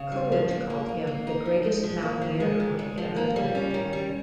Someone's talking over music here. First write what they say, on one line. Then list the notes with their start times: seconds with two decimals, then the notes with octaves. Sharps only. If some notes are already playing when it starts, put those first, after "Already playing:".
Coolidge called him "the greatest mountaineer who had ever lived".
Already playing: C#3
0.12 G3
0.32 F3
0.51 A#3
0.70 A#3
0.89 D#4
1.07 A#3
1.27 D#4
1.45 F3
1.64 G#3
1.84 F3
2.03 A#3
2.21 F3
2.40 G#3
2.60 D#3
2.79 G#3
2.98 F3
3.16 A#3
3.36 G3
3.55 C#4
3.74 D#3
3.93 G3